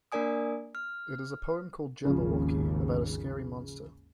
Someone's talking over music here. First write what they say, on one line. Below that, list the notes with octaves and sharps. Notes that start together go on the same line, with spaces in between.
It is a poem called "Jabberwocky" about a scary monster.
A#3 D4 A#4 D5 G#5 D#6
F6
G#1 D#2 C#3 F3